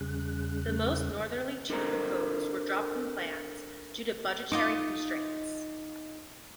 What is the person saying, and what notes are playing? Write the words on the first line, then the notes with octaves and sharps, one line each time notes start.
The most northerly two proposed were dropped from plans due to budgetary constraints.
E2 C#3 G3 C#4 G#4 F#6
D4 A4 A#4 C5 F5 A#5
D#4 F4 D#5 D6